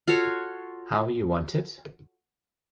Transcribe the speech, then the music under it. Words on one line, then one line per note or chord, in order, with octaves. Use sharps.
How You Want It?
F4 F#4 A4 C#5